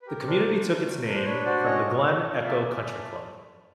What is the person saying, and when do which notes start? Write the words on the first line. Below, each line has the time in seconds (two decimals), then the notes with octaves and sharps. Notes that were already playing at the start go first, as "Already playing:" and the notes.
The community took its name from the Glen Echo Country Club.
0.02 B4
0.07 G4 A#4
0.27 D4 A#4 C5
0.47 A3
0.66 A3
0.87 D4
1.06 D4
1.14 C5
1.25 D4 B4 C#5
1.45 F#4 C5 D5
1.65 C#4 C#5 D#5
1.85 F4
2.05 A4
2.25 F4
2.44 A#3 D5 E5
2.63 G#4
2.84 A4